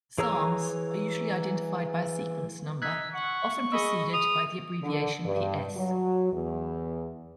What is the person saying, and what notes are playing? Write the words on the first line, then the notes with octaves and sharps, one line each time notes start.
Psalms are usually identified by a sequence number, often preceded by the abbreviation Ps.
E3 G#4 C#5 A#5 E6
D#4 E6 F#6 G#6 B6
F#5 C#6
G#4 D#5 B5 E6
D#6 F7
D3
G2
F#3
E2